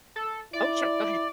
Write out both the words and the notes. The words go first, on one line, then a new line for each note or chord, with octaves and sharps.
Oh sure, go ahead.
A4
E4 D5